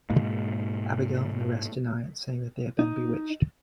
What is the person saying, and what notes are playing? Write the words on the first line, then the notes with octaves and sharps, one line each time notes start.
Abigail and the rest deny it, saying that they have been bewitched.
G#2 B2 G#3 A#3
D#4